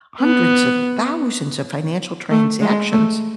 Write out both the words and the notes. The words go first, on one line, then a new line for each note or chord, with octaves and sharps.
hundreds and thousands of financial transactions,
B3
A3
G#3
A3